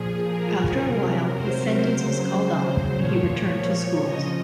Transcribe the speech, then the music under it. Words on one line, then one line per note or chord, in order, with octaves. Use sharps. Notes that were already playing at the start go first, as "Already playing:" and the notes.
After a while his sentence was called off and he returned to schools.
Already playing: A#2 F3 G#4
A#4
C3 F#3 A#4
C5
C#3 F#3
A#2 F3 C#5
C#5
C#3 F3 D#5